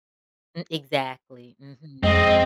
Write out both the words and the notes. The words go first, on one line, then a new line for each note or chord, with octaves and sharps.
M exactly, mhm.
F2 G#3 C4 D#5